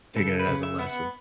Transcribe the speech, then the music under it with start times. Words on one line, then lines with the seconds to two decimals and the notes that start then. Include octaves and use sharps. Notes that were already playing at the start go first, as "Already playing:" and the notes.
taking it as a lesson.
0.16 C#3 A4
0.39 B4
0.47 C#3
0.63 E5
0.79 B3 E5
0.86 F#5